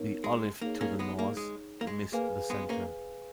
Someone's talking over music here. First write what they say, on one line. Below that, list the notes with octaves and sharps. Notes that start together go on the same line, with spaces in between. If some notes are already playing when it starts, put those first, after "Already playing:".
The" Olive" to the north missed the centre.
Already playing: B3 D#4 A#4 C#5
G#3
A#3 D#4 G#4 C#5
A#3 C#4
G#3 B3
A#3
G#3
A#3
G#3
A#3 G#4 B4 F5 G#5
G#3 B3
A#3 C#4